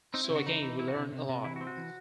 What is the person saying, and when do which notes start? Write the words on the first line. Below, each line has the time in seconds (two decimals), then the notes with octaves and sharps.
So again, we learned a lot.
0.14 C4 D#4
0.24 E4
0.30 C#3
0.35 F#4
0.46 E3 D#4
0.62 E3
0.79 C3 E4
0.88 F#4
0.95 C3 E4
1.12 C3
1.29 C3
1.45 E3 E4
1.56 F#4
1.61 C4
1.67 F#4
1.77 E3